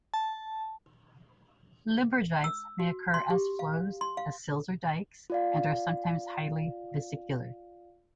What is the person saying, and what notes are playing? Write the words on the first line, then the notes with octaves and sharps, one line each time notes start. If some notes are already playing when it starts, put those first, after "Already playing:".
Limburgites may occur as flows, as sills or dykes, and are sometimes highly vesicular.
A5
E6
F#4
C6
G4
F5
C6
F5
F4 D5 F5